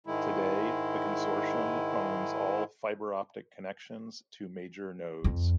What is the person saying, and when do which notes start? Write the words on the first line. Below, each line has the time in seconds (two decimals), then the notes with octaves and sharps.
Today the Consortium owns all fiber-optic connections to major nodes.
0.07 G#2 D#3 G#3 E4
5.24 F2